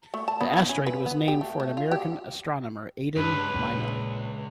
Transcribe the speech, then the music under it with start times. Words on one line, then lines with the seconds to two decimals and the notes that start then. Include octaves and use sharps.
The asteroid was named for American astronomer Aden Meinel.
0.14 A3
0.28 A5
0.41 B3
0.53 E4
0.69 C#4
0.86 B4
1.06 B3
1.28 G4
1.41 A3
1.60 A3
1.77 F4
1.91 G4
3.16 C#2 G2 B4
3.55 A#1